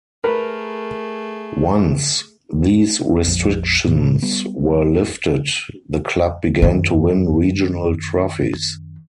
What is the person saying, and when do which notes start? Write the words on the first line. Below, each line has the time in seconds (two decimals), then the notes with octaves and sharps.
Once these restrictions were lifted, the club began to win regional trophies.
0.24 A3 G#4 A#4 B4
3.27 A#1 F2 F3
3.87 A2 C3
4.22 G3 B3
6.62 F#2 D#3